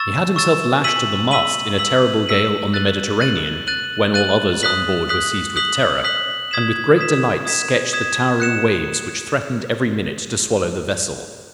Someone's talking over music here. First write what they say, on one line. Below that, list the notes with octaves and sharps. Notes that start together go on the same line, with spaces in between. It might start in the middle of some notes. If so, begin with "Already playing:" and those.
He had himself lashed to the mast in a terrible gale on the Mediterranean when all others on board were seized with terror, and with great delight sketched the towering waves which threatened every minute to swallow the vessel.
Already playing: C#6 E6 A6 E7
C#6 E6 A6 E7
E6 B6 D#7 F#7
E6 B6 D#7 F#7
E6 B6 D#7 F#7
E6 B6 D#7 F#7
F#6 A6 D#7 F#7
F#6 A6 D#7 F#7
F#6 A6 D#7 F#7
F#6 A6 D#7 F#7
D#6 F#6 B6 F#7
D#6 F#6 B6 F#7
D#6 F#6 B6 F#7
D#6 F#6 B6 F#7
D#6 G#6 B6 E7
D#6 G#6 B6 E7
D#6 G#6 B6 E7
D#6 G#6 B6 E7
F#6 C#7 E7